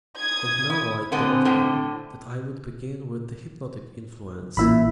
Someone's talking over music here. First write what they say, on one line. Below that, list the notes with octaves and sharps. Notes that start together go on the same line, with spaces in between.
And now I told him that I would begin with the hypnotic influence.
D#6 G#6
E4
D3 G#3 B3 C4
A2 D3
A1 A#2 E4 E5 B5